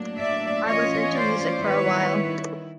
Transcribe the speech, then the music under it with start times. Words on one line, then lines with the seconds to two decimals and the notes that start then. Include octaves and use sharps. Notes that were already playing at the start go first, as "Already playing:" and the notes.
I was into music for awhile.
Already playing: A2 F#3 A#3 D4
0.19 D5 E5
0.66 E3 A3 C#4 F4 C#5 D#5
1.14 C5 D5
1.62 D#3 G3 B3 E4 B4 C#5